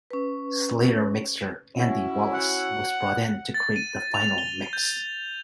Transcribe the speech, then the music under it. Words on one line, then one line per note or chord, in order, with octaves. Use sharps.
Slayer mixer Andy Wallace was brought in to create the final mix.
C#4 B4
C#4 E4 F#4
F#5
A6
D#7
F7
G7
G6